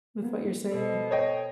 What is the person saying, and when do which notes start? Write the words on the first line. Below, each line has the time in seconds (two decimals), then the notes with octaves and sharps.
with what you're saying.
0.23 A#3 B3
0.72 B2 A4 C5
1.11 C#5 D#5 G5